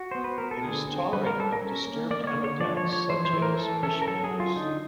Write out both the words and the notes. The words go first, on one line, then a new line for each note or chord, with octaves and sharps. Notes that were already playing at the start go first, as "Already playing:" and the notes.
It is tolerant of disturbed habitats such as fish ponds.
Already playing: F#4
B3 C5
B4
B3 A#4
A4
D3 G#4
C4
G3 B4
A#4
G3 A4
A#4
C#4
A#3
A#3 D5
D5
C#5
D3
C#5
F3 D5
C#5
F3
C#5
E3 C5
C5
E3
A#4
E3 A4
C#4 A4
A#4
F#3 A4
G#4
F#3
F4
D3 D#4